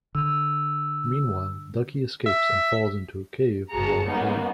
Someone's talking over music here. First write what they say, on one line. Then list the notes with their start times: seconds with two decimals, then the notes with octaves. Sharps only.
Meanwhile, Ducky escapes and falls into a cave while fleeing.
0.15 D3 E6
2.26 E5
3.71 G1 F#4 G#4 A5 A#5 C#7
4.06 G3 A#3 B3 C#4 D#4